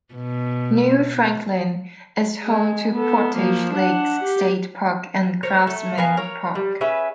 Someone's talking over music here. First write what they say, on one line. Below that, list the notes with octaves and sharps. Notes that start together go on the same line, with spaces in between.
New Franklin is home to Portage Lakes State Park and Craftsmen Park.
B2
G#3
B3 A4
F3 A#3
D4 F#5
G4
A#4 C5 C#5
A3
B3 A#4 F5 G#5
A#4 C#5
G3
C#4 G#4 B4 E5